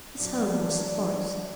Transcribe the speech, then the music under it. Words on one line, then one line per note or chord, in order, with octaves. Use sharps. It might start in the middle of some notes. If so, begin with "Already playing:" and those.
His home was the forest.
F#3 D4